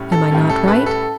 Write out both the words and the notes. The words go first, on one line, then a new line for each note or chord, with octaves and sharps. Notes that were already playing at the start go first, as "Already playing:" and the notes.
Am I not right?
Already playing: A2 G3 C#4
A4
A2 G3 C#4
A4
B4
A4